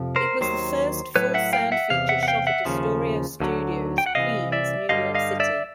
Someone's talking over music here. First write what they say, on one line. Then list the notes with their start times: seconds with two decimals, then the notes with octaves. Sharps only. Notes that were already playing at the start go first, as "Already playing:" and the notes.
It was the first full-sound feature shot at Astoria Studios, Queens, New York City.
Already playing: F2 C3 F3
0.16 A#4 C5
0.41 D#2 D#3 F#3 C5
1.16 A2 F#3 B4 C#5
1.34 E5 F#5
1.53 F5 G5
1.72 E5 F#5
1.90 E2 C3 F5
2.09 E5 F#5
2.23 F#5
2.28 F5 G5
2.47 E5 F#5
2.65 D#2 C#3 F3
3.40 D2 D3 F#3
3.98 G5
4.06 F#5
4.15 C2 C3 E3 D#5 F5
4.52 D5 E5
4.89 G2 D3 G3 D#5 F5
5.15 D#5 F5
5.40 D5 E5